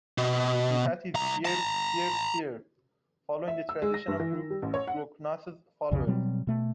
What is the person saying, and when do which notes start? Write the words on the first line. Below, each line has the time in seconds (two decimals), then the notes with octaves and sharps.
He had his ears pierced here, following the tradition of Guru Goraknath's followers.
0.18 B2
1.15 C2 A#5
1.45 A5 A#5
3.48 E5
3.69 E6
3.82 G#3
3.94 A#6
4.08 G2
4.20 E3
4.33 D#3
4.50 G3
4.62 A1
4.74 C#5
4.87 F#5
5.91 B1 F2 C#3
6.07 B2 F#3 G3 C4
6.47 B2 A3